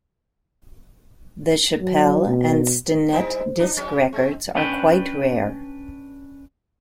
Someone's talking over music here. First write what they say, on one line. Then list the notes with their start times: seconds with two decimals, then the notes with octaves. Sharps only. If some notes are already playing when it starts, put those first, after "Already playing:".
The Chappelle and Stinnette disc records are quite rare.
1.81 F#3
2.26 B2
3.13 G3 D#4 E4 C5
3.60 D4 D#4
3.77 F#3 G#3 C#4
4.13 G#3 C4
4.56 C#4 D4 B4 G5